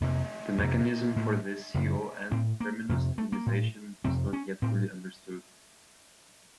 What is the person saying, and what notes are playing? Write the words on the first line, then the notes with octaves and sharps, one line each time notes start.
The mechanism for this Co N terminus stabilization is not yet fully understood.
F2 C3 A#3
F2 C3 A#3
A2
F#2 C#3
A2 C4
A#3
F2 C3 A3
A3
A#3
A2
F2 C3 C4
C#4
A2 C4